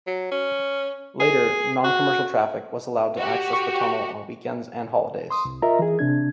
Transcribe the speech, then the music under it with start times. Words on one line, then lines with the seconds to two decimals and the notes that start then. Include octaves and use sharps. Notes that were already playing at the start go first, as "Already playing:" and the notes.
Later, non-commercial traffic was allowed to access the tunnel on weekends and holidays.
0.07 F#3
0.31 C#4
1.20 G#4
1.84 F#4
3.17 F#4 G4
3.53 C#6
5.30 C6 D#6
5.45 C2
5.62 F4 A#4 D#5 E5 A#5
5.79 E3 G#4
5.99 C3 D4 G#6